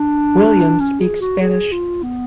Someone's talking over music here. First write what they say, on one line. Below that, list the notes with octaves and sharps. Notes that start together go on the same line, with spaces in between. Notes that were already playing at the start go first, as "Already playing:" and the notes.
Williams speaks Spanish.
Already playing: D4
C#4
G#4
F#4
G#4
F4
B3